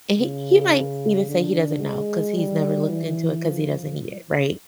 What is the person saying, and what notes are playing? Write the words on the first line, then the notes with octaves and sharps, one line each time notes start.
He he might even say he doesn't know 'cause he's never looked into it 'cause he doesn't need it, right?
C#3
D3
G#3
G3
E3
F3